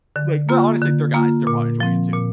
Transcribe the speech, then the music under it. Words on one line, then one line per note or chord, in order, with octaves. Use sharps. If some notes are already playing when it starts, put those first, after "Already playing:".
like well, honestly, they're guys, they're probably enjoying it too.
D3
A#3 F4
D3
A#3 F4
A#2
F3 C4
A#2